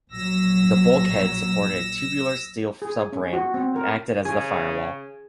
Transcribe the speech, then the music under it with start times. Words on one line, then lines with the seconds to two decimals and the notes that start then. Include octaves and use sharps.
The bulkhead supported a tubular steel subframe and acted as the firewall.
0.11 A#1 F#3 E6 A#6
2.82 G#4
3.13 C#4
3.33 F#4
3.54 C4
3.76 A#4
4.25 C#3 G#4